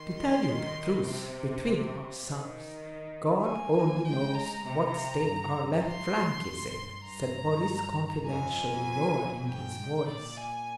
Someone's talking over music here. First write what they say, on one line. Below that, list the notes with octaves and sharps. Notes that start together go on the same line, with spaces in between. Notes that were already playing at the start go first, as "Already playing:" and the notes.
"To tell you the truth, between ourselves, God only knows what state our left flank is in," said Boris confidentially lowering his voice.
Already playing: D#3 C6
D#3
C3
D#3
A#3 G#5
G#3 G5
A#5
C3 A#5
G2
G2
G#2 C6
A#2
G2
G2 A#5
F2 G#5
G2 G5
G#2
A#2 D5
G#5